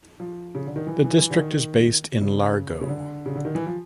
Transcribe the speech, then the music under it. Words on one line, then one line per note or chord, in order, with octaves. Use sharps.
The district is based in Largo.
F3
C#3
D3
D#3
E3
E3
E3
D3
D#3
C#3
C#3
D3
C#3
D3
D#3
E3
F3